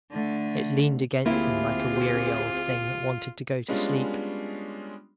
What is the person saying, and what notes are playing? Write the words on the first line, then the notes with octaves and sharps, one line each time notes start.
It leaned against them like a weary old thing that wanted to go to sleep.
D3 A3
D2 A#3 C4 E4 F4 G4 G#4
G3 G#3 B3 C#4 D4 F4